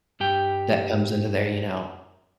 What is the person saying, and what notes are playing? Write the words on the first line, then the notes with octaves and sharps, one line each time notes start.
that comes into there, you know,
G2 G4 G5